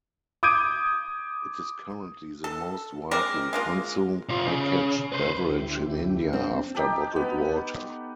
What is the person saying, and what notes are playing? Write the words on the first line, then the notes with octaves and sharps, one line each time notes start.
It is currently the most widely consumed packaged beverage in India, after bottled water.
D6 D#6 G6 G#6 D7 D#7
A4
G#3 C4 A#4 D5
G#3 A#3 F4
C3 F4
C#3
B4 C5
D2 E4 G4
C4 D4
D#4 G4 A4
B3